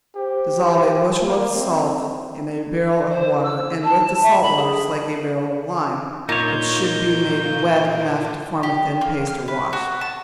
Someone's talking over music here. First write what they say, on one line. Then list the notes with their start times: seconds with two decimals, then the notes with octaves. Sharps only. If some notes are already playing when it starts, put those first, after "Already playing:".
Dissolve a bushel of salt in a barrel of water, and with the salt water slake a barrel of lime, which should be made wet enough to form a thin paste or wash.
0.16 G4 C5
1.26 A#3 A#4
1.55 C4 E5
3.11 C5
3.43 E6
3.84 A5
4.23 E5
4.42 B5
4.57 G#4
6.29 A#2 D#4 C#5 G6
8.63 G4
9.01 A#3
9.27 F6
9.48 B4
9.73 F#4
10.01 A5